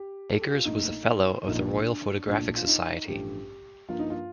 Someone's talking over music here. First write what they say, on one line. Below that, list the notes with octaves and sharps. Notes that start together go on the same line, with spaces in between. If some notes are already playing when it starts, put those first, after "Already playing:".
Acres was a Fellow of the Royal Photographic Society.
Already playing: G4
A4
G4
F4
A#1 A#2 A3 D#4
A#1 A#2 F3 A#3 D#4
D4
D4
A#1 A#2 A3 D4
F4
D#4
A1 G2 F3 A3 G4
G2 F3 A#3 F4
D#4
F4